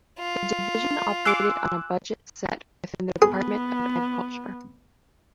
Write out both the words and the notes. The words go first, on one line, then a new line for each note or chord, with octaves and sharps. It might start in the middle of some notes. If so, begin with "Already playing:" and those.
The division operated on a budget set within the Department of Agriculture.
F4
G#5 C6 D6 E6 F#6
B3 G#4